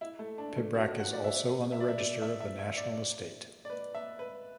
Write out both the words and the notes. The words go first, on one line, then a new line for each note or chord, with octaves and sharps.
Pibrac is also on the Register of the National Estate.
E4
A3
D4
A3
F#4
F#5
D5
E5
B4
E5
D5
E5
D5
E5
E5
E5
D5
D5
B4
E5
B4